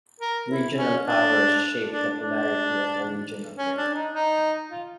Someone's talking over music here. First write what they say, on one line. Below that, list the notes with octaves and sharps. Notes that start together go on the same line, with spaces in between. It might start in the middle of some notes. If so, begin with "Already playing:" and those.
Regional powers shape the polarity of a regional area.
A#4
E4
C#4
D4
D4
D4
C#4
D4
D#4
D#4
F4